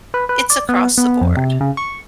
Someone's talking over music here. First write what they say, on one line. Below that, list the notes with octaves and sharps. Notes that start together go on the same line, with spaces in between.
it's across the board.
B4
B4
D5
B3
B3
F2
C3
C#3
C#6